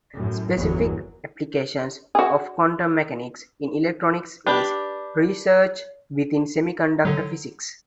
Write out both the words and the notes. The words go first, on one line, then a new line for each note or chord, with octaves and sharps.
Specific applications of quantum mechanics in electronics is researched within semiconductor physics.
F#2 A2
G1 E2 F#3
F#4 G#4
D4 G4 B4
D3 F#3